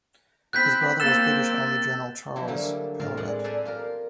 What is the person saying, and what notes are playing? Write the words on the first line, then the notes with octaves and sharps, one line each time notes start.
His brother was the British Army general Charles Palairet.
C4 B5 F#6 G6 B6
A#3 C4 E6 A6 E7
F3 F#3 E4 G4
D3 F#3 G3 A#3
A2 C4 F4 A#4
A2 G#3 D5 F#5
A4 B4 C5 D5 G#5 A#5
F4 G4 A#4